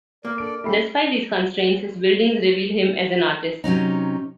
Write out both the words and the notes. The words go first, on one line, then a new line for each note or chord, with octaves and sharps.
Despite these constraints his buildings reveal him as an artist.
A#3 A#4 D5
D4 A4 D5 D7
G#3 A3 C#4 G4 B5 C7
C3 F#3 C#4 D#4